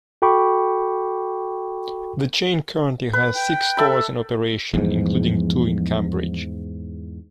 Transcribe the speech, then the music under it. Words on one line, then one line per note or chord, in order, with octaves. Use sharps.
The chain currently has six stores in operation, including two in Cambridge.
F#4 A4 G5 B5 C#6 D6
B4
G5
A4 E5 B5
E2 G#2 F3 G3